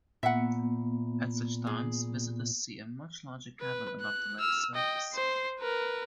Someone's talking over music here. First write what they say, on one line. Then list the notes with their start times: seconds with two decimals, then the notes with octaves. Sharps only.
At such times visitors see a much larger cavern above the lake surface.
0.23 A#2 A#3 B3 E5 F#5
1.67 G#4
3.60 B4
4.00 F#6
4.40 E6 F6
4.75 D#5 G5
5.13 C5 C7
5.59 A#4 B4